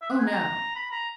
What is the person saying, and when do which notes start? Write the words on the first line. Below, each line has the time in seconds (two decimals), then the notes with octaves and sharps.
"Oh no."
0.02 E5
0.10 F#5
0.19 G#5
0.27 A#5
0.75 B5
0.91 A#5